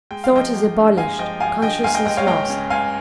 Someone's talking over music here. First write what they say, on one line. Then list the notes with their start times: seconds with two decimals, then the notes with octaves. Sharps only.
Thought is abolished, consciousness lost.
0.11 G#3 G5
0.24 F5
0.32 F3 D#5 G5
0.54 G#1
0.76 G2
0.97 G#3 F5 G#5
1.19 F3 D#5 G5
1.40 G#1 F5 G#5
1.62 G2 D#5 G5
1.84 C#2 F5 G#5
1.94 D#5 G5
2.05 G#3 D#5 G5
2.17 C#5 F5
2.27 C#2 D#5 G5
2.50 C#3
2.70 C#2 F5 G#5